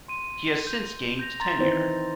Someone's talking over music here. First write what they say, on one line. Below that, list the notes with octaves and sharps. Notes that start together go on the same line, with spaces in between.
He has since gained tenure.
C6 D#7
G6
G6 A#6 F7
A#5 C6 A6
D#3 E3 C4